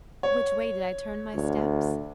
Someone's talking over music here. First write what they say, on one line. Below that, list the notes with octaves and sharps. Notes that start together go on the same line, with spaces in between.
Which way did I turn my steps?
C#5
D2